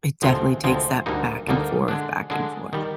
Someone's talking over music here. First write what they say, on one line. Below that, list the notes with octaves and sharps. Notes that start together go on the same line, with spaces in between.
it definitely takes that back and forth, back and forth.
D2 C3 F3 G#3 C4
D2 C3 F3 G#3 C4
D2 D3 G3 A#3 D#4
D2 D3 G3 A#3 D#4
D3 G#3 D4
D3 G#3 D4
D#3 G3